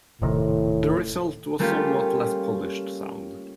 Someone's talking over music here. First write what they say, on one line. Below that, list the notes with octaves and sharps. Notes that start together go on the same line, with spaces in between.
The result was a somewhat less polished sound.
D#1 A2 C3 D#3
G3 A3 A#3 C#4 F4 G4